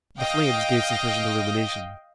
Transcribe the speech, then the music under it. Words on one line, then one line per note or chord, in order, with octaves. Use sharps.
The flames gave sufficient illumination.
D#5 F5 G5